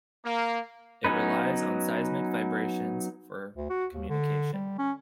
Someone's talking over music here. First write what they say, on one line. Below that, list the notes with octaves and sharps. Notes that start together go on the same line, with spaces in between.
It relies on seismic vibrations for communication.
A#3
F#3 B3 C#4 D#4 B4
D2
F#4
D#2
D3
G3
C#4